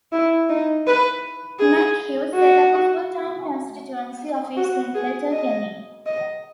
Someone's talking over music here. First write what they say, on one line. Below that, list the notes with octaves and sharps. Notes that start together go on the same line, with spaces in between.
McHugh set up a full-time constituency office in Letterkenny.
E4
D#4
B4
G#4
F#4
F#4
G#4
D#5
D#5